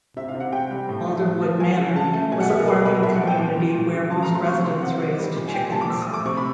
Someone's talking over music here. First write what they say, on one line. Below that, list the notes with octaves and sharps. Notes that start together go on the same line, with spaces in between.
Alderwood Manor was a farming community where most residents raised chickens.
C3 E5
F5
C3
F#5
C3 G5
G3
A2
A3
F3
F3
F#3 G#5
C#3
C#3 A5
A3
B2 G#5
F#5
B2 E5
A#4
G#3 B4
A#4
B2 B4
A#4
A#2 E5
F#5
F3
G5
A#2
A#2
F#3
C#3
F#3 A5
A#5
A3
C6
C3 C#6
C3 C6
C3 F#5
D#3
G3
A#2
G#5
G3 G5
G#5
A#2 A5
D6
F3 E6
D#6
A3
D6
C3 C#6
B5